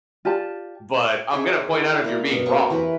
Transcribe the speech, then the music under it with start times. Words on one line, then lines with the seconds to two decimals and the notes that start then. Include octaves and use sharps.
but I'm gonna point out if you're being wrong,"
0.25 F4 G4 D5 A5
1.33 D#4 G#4 C5 E5
1.73 E4
2.04 A#3 D5 F5
2.31 B2
2.46 F#3 A#3 C4 C#6
2.70 E3 G4 A#4 B4